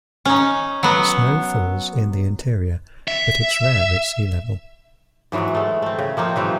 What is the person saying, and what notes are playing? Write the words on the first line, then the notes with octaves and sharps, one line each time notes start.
Snow falls in the interior, but it's rare at sea level.
C#4 D#4
F#3 B3
E5
G#2 E3 F#3 G#3
G#3 A3
A3 C4
C#3
F3 A#3 C4 D#4
C#3 E3 F#3 C4